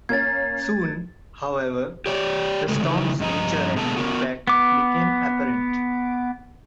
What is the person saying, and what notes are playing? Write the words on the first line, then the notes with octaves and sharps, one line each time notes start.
Soon, however, the storm's nature and impact became apparent.
A#3 C#4 G#6 A6
G4 C#5 D5 G5
A2 C#3 G#3 A4
C#3 E3 D#4 E4
G2 F3 D#5 G#5 A#5
B2 D3 G#3 A#3 A5
B3 F#4 A#4
B3 D6